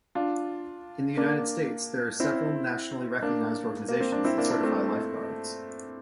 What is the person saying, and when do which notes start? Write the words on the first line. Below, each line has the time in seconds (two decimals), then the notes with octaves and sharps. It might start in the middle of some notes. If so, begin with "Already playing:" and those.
In the United States there are several nationally recognized organizations that certify lifeguards.
0.15 D4 F4
1.17 A#3 D4
2.20 C4 E4
3.22 A#3 D4
3.88 A#3
4.00 C4
4.12 D4
4.25 C4 E4
4.38 A#3 D4
4.50 A#3 D4
4.63 A3 C4